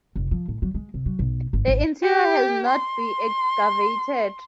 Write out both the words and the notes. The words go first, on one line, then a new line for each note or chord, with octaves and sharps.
The interior has not be excavated.
F1
F3
A2
F#3
G#3
C3
F#3
B1
G#1
G#1
G4
C6